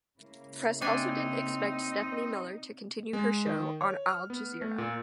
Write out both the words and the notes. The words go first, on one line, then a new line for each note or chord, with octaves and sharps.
Press also didn't expect Stephanie Miller to continue her show on Al Jazeera.
C#3 A#3 E4
C3 C4 D4 D#4 G#5
G#3
D#3
C#5
F6
B3
A3
A#2